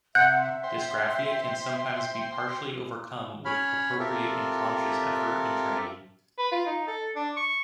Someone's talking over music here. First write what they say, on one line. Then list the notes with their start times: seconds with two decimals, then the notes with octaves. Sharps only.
Dysgraphia can sometimes be partially overcome with appropriate and conscious effort and training.
0.15 C3 E5 F#5 G6
0.63 C5 G5
3.45 C#4 C#5 B5 F6
3.99 C4 F4 G4 A4 A#4 E5
6.38 B4
6.52 F4
6.66 D#4
6.87 A4
7.16 D4
7.37 C#6